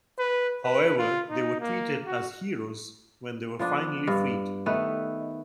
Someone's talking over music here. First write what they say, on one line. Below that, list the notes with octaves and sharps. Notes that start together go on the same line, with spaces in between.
However, they were treated as heroes when they were finally freed.
B4
B4
F4
D#4
A#3
F#4
F3 B3 D4
G2
D#3 A3 B3 B4